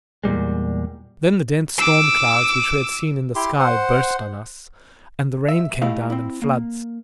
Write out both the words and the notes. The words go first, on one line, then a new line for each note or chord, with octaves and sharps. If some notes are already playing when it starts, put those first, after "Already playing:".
Then the dense storm clouds which we had seen in the sky burst on us, and the rain came down in floods.
E2 A#2 G3 G#3
D6 E6
E4 G4 C6
C5 F#5
E5
A3 E4 G4 D#5 F5
C4 E4
A#3